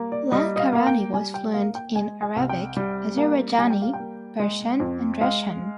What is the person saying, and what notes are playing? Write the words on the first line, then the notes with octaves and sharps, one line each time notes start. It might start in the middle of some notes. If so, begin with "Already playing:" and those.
Lankarani was fluent in Arabic, Azerbaijani, Persian, and Russian.
Already playing: G3 A#3
D5
G3 D#5
D#5
F5
A#3 F5
G5
G3 G#5
G5
A#3 F5
G5
G#3 G#5
G#5
C2
G5
G3
A#3
G3 G#5
G5
F5
G5
A#3
G#3
F2
G#3 F5